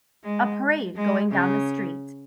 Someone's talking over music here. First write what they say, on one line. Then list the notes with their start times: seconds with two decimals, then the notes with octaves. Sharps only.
A parade going down the street.
0.24 G#3
0.96 G#3
1.32 C#3